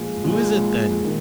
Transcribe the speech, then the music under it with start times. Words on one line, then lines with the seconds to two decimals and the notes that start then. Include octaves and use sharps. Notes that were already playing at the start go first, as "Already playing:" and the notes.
"Who is it then?"
Already playing: A#2 F3 G#3
0.24 A#2 F3 G#3
1.03 D#3 A#3